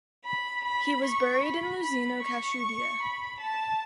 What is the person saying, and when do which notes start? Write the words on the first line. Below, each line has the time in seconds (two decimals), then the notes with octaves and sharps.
He was buried in Luzino - Kashubia.
0.24 B5
0.64 B5
1.03 C#6
1.42 B5
1.82 B5
2.22 C#6
3.01 B5
3.40 A5